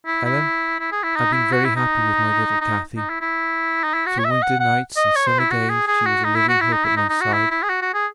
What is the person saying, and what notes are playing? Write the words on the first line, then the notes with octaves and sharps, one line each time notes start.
Ellen, I've been very happy with my little Cathy: through winter nights and summer days she was a living hope at my side.
E4
E4
E4
G#4
E4
D#4
E4
F#4
E4
D#4
D#4
D#4
E4
E4
D#4
E4
F#4
C#5
E5
D#5
F#5
F#5
D#5
C#5
C5
E4
F#4
G#4
G#4
F#4
D#4
E4
F#4
E4
D#4
E4
D#4
D#4
F#4
E4
E4
G#4
F#4
F#4
G#4